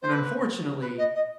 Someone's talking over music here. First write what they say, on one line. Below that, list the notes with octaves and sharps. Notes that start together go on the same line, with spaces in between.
and unfortunately,
C5
B4
B4
D#5
D#5